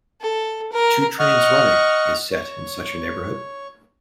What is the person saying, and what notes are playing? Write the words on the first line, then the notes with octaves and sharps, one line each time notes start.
"Two Trains Running" is set in such a neighborhood.
A4
A#4
D#5 F#5 C#6 F6
C#5